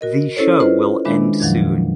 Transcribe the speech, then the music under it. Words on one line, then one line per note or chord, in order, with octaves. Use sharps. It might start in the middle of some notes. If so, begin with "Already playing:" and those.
The show will end soon.
F#4 A#4 D#5
C#4 E4 A4 C5 C#5
E4 F4 B4 C5 D#5
D#3 G#3 D4 E5 B5
F2 A#2 D#3 F3 F#3